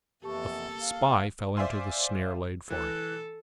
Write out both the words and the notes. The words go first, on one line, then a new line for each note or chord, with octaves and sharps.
The spy fell into the snare laid for him.
F2 E3 A#3 B3 G4 A4 A5 C#6
F5
C5 D5 E5 F5 G#5 C6
E3 A4 F#6